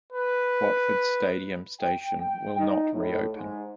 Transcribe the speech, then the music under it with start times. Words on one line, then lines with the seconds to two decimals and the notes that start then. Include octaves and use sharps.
Watford Stadium station will not re-open.
0.12 B4
1.81 G5
2.20 G5
2.58 D#4
2.93 A2
3.34 G#2